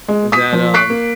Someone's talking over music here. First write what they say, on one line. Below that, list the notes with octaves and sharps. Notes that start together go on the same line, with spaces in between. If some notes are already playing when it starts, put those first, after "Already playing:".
that, um,
G#3
D#6 B6
F3
C#6 F#6 B6 C7 D7
A#3